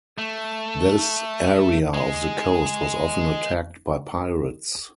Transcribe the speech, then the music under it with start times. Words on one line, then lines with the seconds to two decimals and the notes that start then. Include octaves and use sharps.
This area of the coast was often attacked by pirates.
0.18 A3
1.94 G#3